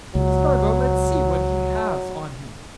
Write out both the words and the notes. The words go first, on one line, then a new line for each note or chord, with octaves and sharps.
"Spargo, let's see what he has on him."
C#2 F#3